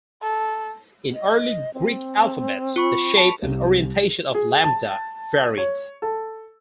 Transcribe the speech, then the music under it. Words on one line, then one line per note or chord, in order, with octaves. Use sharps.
In early Greek alphabets, the shape and orientation of lambda varied.
A4
D#5
C4
F4 B5 C#6 C#7
A5 B6 F7
C2
G#4
A5
C#5
A4